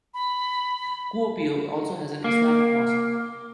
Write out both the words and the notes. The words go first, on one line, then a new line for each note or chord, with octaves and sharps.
Kuopio also has an Islamic mosque.
B5
A#3